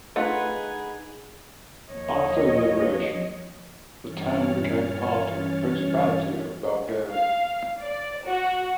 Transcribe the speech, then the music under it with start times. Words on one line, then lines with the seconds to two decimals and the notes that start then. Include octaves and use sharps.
After the liberation the town became part of the Principality of Bulgaria.
0.16 A3 D4 D#4 F4 G#4 B4 D#5 F#5
1.88 D#2 F3 C#5 D#5
4.05 G2 E3 C#4 C#5 F6 A6
7.11 F5
7.81 D5
8.26 F#4